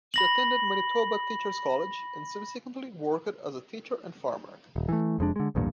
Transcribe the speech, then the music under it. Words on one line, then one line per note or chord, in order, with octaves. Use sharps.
She attended Manitoba Teacher's College, and subsequently worked as a teacher and farmer.
B5 A#6 F#7
D#1
E3 A3
F1 F2 G#3 D4
D3 G#3
B1 E2 G2 A#2